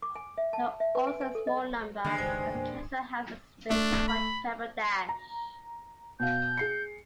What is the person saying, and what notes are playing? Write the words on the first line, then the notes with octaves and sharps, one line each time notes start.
There are also a small number of council houses with white pebbledash.
D6
G#5
E5
A5
E5
B4
G#5
G#5
A4
D#5
G2 D3 D#3 G#3 A#3
G1 C#2 D#3 C5 G5 G#5
E2 A#2 A#3
G#1
A3 D4
B5
A#5
B2 F5 G6
G#4 C7 C#7